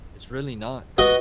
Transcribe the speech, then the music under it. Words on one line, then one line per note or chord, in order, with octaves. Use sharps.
it's really not.
F#4 B4 D#5